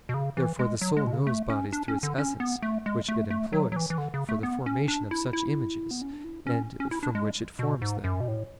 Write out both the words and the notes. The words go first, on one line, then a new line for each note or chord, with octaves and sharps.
Therefore the soul knows bodies through its essence, which it employs for the formation of such images, and from which it forms them.
B2
C#3
E3
G#3
F#3
G#3
B2
C#3
A3
C#4
D4
C#4
D3
C#4
B3
A3
G#3
A3
A3
F#3
F#3
E3
E3
D3
C#3
A3
B3
C#4
D4
E4
E4
B3
C#4
D4
E4
C#4
C#4
E4
D4
G#3
B2
G#2
F#2
B2
A2